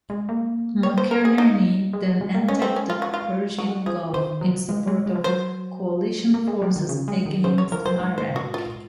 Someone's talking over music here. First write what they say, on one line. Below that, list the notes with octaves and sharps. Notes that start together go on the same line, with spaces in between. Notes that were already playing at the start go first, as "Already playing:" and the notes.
"McInerney" then entered the Persian Gulf in support of coalition forces against Iraq.
G#3
A#3
C#5
C5
A#4
G#4
D#4
G#3
F#3
G#3
A#3
G#3 C#4
C4
C#4
F4
F#4
F4
F#3 F#4
F3 G#4
D#3 C5
F#3
G#3
G#3
G#3
F3
F#3 C5
A#3
G#3
F#3
D#3
C#3
G#3
D#3
C#3 C5
C#5
F3 A#4
F#3 C5
G#2
C5
F#4
F4